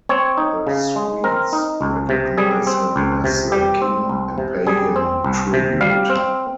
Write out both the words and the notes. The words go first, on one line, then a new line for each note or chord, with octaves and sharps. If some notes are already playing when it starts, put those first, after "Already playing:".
The Swedes recognize him as their king, and pay him tribute.
C4 C#5
D#4
C#3
G#3
C4 A#4
D#4
C#2
C3
G3 G#4
C4
C#2
C3
G3 G4
C4
C2
C3
G3 G#4
C4
C2
C3
G3 F5
C4